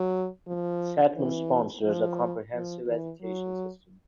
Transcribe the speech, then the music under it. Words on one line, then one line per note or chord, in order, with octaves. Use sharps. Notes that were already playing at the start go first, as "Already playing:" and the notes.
Satmar sponsors a comprehensive education system.
Already playing: F#3
F3
E3
F3
F3
E3
F#3